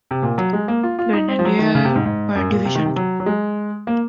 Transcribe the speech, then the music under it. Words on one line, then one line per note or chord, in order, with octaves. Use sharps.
Grenadier Division.
C3
A#2
F#3
G#3
A#3
F4
F4
D#4
C4
F3
F#3
D#3
C#3
C3
G#2
G#2
F#2
A#2
C3
D#3
C3
F#3
F#3
G#3
A#3